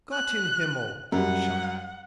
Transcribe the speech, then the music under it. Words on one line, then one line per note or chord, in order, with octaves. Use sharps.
"Gott in Himmel!" he shouted.
F#6
F#2 G3 F#5